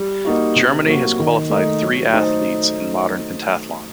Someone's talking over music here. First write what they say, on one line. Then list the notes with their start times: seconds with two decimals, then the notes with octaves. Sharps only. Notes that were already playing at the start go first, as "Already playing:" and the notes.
Germany has qualified three athletes in modern pentathlon.
Already playing: G3
0.25 A#3 D#4 F#4
0.56 C3
0.87 F#3 A#3 F#4
1.19 D#3
1.50 A3 D#4
1.82 F#3
2.13 A3 D#4 A4 C5